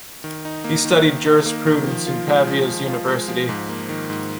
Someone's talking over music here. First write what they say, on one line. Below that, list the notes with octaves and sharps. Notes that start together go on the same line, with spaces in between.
He studied jurisprudence in Pavia's university.
D#3
D#4
A#3
D#3
D#3
D#4
A#3
D#3
F3
F4
G#3
F3
F3
F4
G#3
F3
G#2
A#3
D#3
G#2